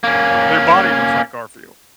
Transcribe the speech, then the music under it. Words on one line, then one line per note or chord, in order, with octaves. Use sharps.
their body looks like Garfield.
A#3 C#4